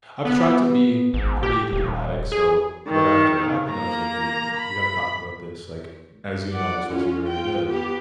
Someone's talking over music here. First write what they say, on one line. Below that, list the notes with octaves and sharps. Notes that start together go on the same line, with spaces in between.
I've tried to be pretty diplomatic, so, right after it happened, I was, like, "Dude, we gotta talk about this, like, as you know, this wasn't very good,
B3
G#1
G4
D#1
G#4
D#3
A#3 A#5
B5
D5 F#5
C#4 F4
F4 G5
B3 G4